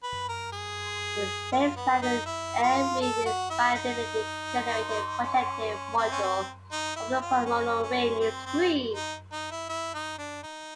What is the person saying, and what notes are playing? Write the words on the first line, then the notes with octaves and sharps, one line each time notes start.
It states that every finitely generated projective module over a polynomial ring is free.
B4
A#4
G#4
F4
B3
D#4
E4
F4
A4
F#4
E4
D#4
C#4
C4
C#4
C4
D#4
E4
F4
C#4
C#4
C4
C4
D#4
D#4
E4
E4
D#4
D4
D#4